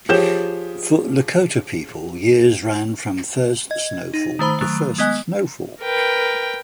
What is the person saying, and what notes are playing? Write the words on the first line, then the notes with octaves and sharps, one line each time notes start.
For Lakota people, years ran from first snow fall to first snowfall.
F3 G4 G#4 C#5 G6 E7
D#5 G#6
D#4
D#3 A3 C5 B5
D#3 F#3 A3
G#3 B3 D#5 G#5 F#6
A#4 B4 G5